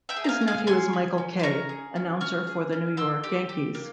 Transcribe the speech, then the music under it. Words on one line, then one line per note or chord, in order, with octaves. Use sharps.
His nephew is Michael Kay, announcer for the New York Yankees.
E5 G5
G#4
A#5
F5 G#5
G#4
F5 G#5
C#4 G#5 C6
C#4
C#4
C6
C#4 A#5 C#6
G#4
C#4
C#4 C#6 F6
G#4
C#4
A#3 C6 E6
G4
G4
A#3